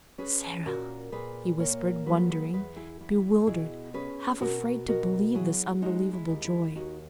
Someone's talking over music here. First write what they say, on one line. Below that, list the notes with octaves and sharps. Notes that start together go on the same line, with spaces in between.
"Sara," he whispered, wondering, bewildered, half-afraid to believe this unbelievable joy.
C#4 G#4 B4
A#2 F#4 A#4
A#2 G#4 B4
A#3 A#4 C#5
F#3 G#4 B4
G#4 B4
E2 G#4 B4
E4 G#4
E2 E4
B2 E4 G#4
C#4 G#4 B4
B2 F#4 A#4
B2 F#4 A#4
F#3 E4 G#4
G#3 D#4 F#4
E4
D#2
E4
D#2 D#4 F#4